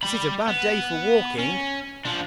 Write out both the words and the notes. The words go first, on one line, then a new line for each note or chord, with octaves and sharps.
'This is a bad day for walking!
G3 B5
B3
C#4
F3 D4